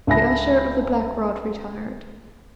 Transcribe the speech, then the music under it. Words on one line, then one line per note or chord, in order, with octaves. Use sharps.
The Usher of the Black Rod retired.
C#2 D4 E5 G#5 B5 A#6